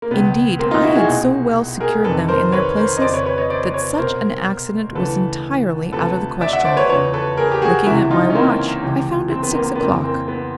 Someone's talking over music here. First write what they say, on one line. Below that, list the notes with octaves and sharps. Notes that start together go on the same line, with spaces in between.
Indeed, I had so well secured them in their places, that such an accident was entirely out of the question. Looking at my watch, I found it six o'clock.
A#3
C#2 B2 B3
A#3 C4
D#4 F4
E4 F#4
F#4 G#4
C2 B2
G#4 A#4
F2 C3 D#3 A4 B4
A#4 C5
B4 C#5
A#4 C5
D#5
F2 C#3 F3 C5 D5
B4 C#5
B4 C#5
C#5 D#5
C5 D5
B4 C#5
C2 B2 A#4 C5
D2 C#3 E3 A4 B4
D2 C3 F3 A4 B4
D5 E5
E5 F#5
C5 D5
B4 C#5
E2 C#3 F3 B4 C#5
A4 B4
G#4 A#4
G4
F#4 G#4
C#2 C3 E3 E4 F#4
D#4 F4
C#4
A#3 C4
C#2 C3 E3
C4
B3
A#3 C4
B3
F2 C#3 E3 A#3 C4
A#3 C4
B3